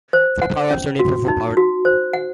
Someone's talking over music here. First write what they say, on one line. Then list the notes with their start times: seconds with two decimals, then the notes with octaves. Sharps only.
Four power-ups are needed for full power.
0.13 C5
0.42 F#5
0.71 C#4
0.99 F#4
1.28 D#4
1.57 F#4
1.85 C5
2.13 F#5